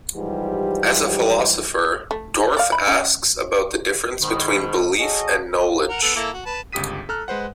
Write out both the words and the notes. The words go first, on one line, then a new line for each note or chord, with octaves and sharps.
As a philosopher, Dorff asks about the difference between belief and knowledge.
G#2 E3 F3 G3 G4
A3
D5 F5
B5
C#4
G#2 B2 D#3
F#4 G#4 A4 C#5 D#5
A#4 F#5
B3 A4
A#3 E4 A4
F#4
B4 A5
G1 C#2 G4 D#6 B6 D#7
A4 A#5 F6 F#6
G#3 B4 C5 F#5